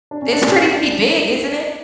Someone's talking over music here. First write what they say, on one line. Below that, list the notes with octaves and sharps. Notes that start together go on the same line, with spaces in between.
It's pretty big, isn't it?
D4
C#4
D4
C#4
C#4
D4